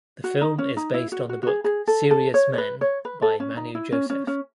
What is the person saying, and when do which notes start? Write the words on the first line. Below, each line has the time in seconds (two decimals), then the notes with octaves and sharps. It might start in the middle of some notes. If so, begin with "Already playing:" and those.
The film is based on the book "Serious Men" by Manu Joseph.
0.24 F#4
0.41 D#4
0.58 C#4
0.77 D#4
0.94 E4
1.12 F#4
1.29 F#4
1.43 F#4
1.47 G#4
1.64 G#4
1.87 A4
2.11 A4
2.34 C#5
2.54 C#5
2.58 B4
2.81 C#5
3.05 B4
3.22 A4
3.40 C#4
3.57 D#4
3.75 E4
3.92 C#4
4.10 C#4
4.27 C#4